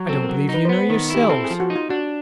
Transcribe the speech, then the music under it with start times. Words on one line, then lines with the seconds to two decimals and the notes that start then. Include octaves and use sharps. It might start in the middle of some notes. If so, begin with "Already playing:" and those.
I don't believe you know yourselves.
Already playing: F#3
0.09 C4 A4
0.24 A#4
0.29 F#3
0.49 D#4
0.54 B4
0.65 C5
0.69 B3 B4
0.90 D#3
1.10 E4 G4
1.22 G#4
1.29 C4 A4
1.44 G#4
1.50 F3
1.60 F#4
1.70 D#4
1.76 F4
1.90 D4 F#4